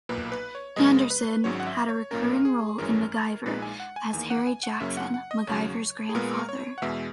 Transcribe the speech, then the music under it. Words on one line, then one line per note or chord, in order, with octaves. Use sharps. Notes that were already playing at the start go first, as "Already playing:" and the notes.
Anderson had a recurring role in "MacGyver" as Harry Jackson, MacGyver's grandfather.
B1 A#2 A#3 B4
B4
C#5
F#2 C#3 G#3 B3 D#5
B4
G#1 G#2 F#3 C#4 C#5
F#5
E5
C#5
B1 A#2 A#3 C#4 A#4
G#4
G#1 F#2 E3 G#3 C#4 A#4
A#1 A#2 G#3 D#4 B4
G#5
F#5
G#5
E2 D#3 A#3 G#5
F#5
G#5
F#5
F#2 C#3 F#3 A#3 C#4 E5
F#5
F#5
D#5
D#2 C#3 F#3 C#5
G#4
A#2 G#3 B3 A#4
C#5
F#5
E2 B2 G#3 E5